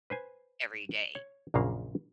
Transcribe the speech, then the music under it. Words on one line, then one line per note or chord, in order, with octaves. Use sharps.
every day,
B4 C5 G#5
C#5
A#1 F#2 A#2 C#3 A#3 F5